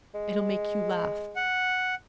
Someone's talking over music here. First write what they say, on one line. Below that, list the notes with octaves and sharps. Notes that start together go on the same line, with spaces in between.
It'll make you laugh.
G#3
F#5